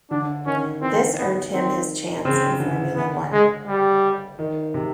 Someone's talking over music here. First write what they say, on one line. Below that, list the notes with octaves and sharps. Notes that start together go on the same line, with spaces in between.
This earned him his chance in Formula One.
D3 D4
D#3 C#4
E3 C4
B3
D#3 C4
C#3 C4
D3
B3
G#3
G3
D#3
C3